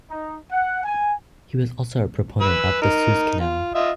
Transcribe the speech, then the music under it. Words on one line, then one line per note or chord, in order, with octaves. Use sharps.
He was also a proponent of a Suez canal.
D#4
F#5
G#5
B4 B5 E6
D#4 A#4
F4
F4 D#5 E5